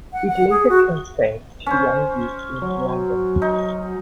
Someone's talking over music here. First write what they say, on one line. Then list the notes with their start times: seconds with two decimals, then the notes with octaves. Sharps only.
It later transferred to the Young Vic in London.
0.13 F#5
0.28 F#5
0.50 G#4
0.69 F#4
1.66 C#4 C5
2.62 F#3
3.42 D#4